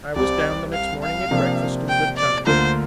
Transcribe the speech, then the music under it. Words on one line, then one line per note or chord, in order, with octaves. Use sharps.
I was down the next morning at breakfast in good time.
C2 C3 G3 C4 D5
F5
F5
C3 F3 A#3 D4
G5
D5
D2 D3 A#3 F4 A#4 C5